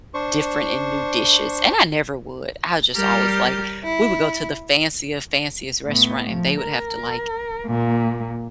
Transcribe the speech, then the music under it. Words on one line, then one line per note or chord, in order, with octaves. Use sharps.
different and new dishes, and I never would. I just always, like we would go to the fanciest, fanciest restaurant, and they would have to, like,
D4 C5 C#6
G3 G4 A#4 F6 G6 A6
E4
A2 B3
F3
A#4
A#2 A#3